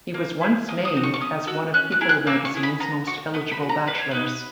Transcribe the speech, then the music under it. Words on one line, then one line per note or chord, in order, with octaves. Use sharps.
He was once named as one of People magazine's most eligible bachelors.
A#3
E4 G#4
A#3 D#6
D#6
D#4 F#4
C#6
C#6
C#4 D#6
F#4 E6
C#4 F#6
F#6
E4 G#4
F#6
A#3 E6
C#6
E4 G#4
B5
B3 A#5
F#4 C#6
B3 D#6
B5
F#4
A#5
A#3 B4
C#5
D#4 F#4 B4